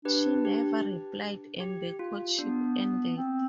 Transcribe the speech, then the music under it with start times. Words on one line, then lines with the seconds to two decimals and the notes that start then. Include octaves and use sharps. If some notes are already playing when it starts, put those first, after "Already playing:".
She never replied and the courtship ended.
0.05 D4 G4 B4
0.45 G4
1.60 G4
1.99 F4
2.39 B3 D4
3.16 C4